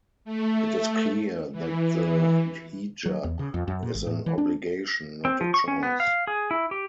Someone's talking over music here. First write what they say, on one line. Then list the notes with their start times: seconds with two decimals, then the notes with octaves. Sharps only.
It is clear that the hijab is an obligation, not a choice.
0.25 A3
1.52 E3
3.06 F#3
3.24 E2
3.39 C#3
3.54 F2
3.68 F#2
3.83 A#2
3.95 G#1
4.06 A2
4.26 E3
4.38 D4
5.25 C4
5.41 F3
5.54 C#6
5.68 C#4
5.83 B3
6.00 F5
6.27 G#4
6.51 E4
6.71 G4